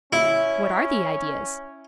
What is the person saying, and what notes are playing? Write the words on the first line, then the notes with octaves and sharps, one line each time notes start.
What are the ideas?'
C#4 E4